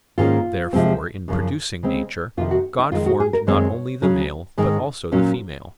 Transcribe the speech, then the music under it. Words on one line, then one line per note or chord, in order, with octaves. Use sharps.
Therefore, in producing nature, God formed not only the male but also the female.
G#2 D#3 A#3 C#4 F4
C3 F3 G#3 C4
F#2 C#3 F3
C#3 G#3 C4
F2 C3 D#3 F4
F#4
D#4
F2 D#3 G#3 F4
F#4
G#4
A#4
F#2 D#3 G#3 C4 C#5
C#3 F#3 C#4
G#2 D#3 G#3
A#2 F#3 C#4